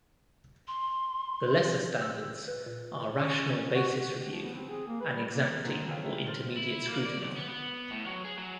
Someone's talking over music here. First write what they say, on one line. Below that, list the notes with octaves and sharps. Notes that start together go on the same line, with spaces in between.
The lesser standards are rational basis review and exacting or intermediate scrutiny.
C6
E6
B4
A#2
C#4
F#4
G4
F3
B3
C4
G#4
A#3
B4
G3
A#3
F2 A#2 D3 C4 D#4
G#4 A4 B4 C#5 F5 G5
E4 A#4
C5 F6 A6
E4
A#3
D5
B1
B3
B3
A2
F#3
G#4
F#3